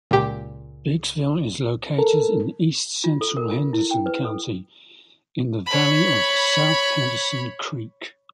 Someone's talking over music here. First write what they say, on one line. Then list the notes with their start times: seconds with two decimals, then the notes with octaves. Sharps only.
Biggsville is located in east-central Henderson County in the valley of South Henderson Creek.
0.11 C#2 A#2 G4
1.98 A4 A#4
3.04 F4
3.21 A4
3.37 A#4
3.51 F4
3.73 E4
3.91 G5
4.06 B4
4.25 A4
5.66 C#5 B5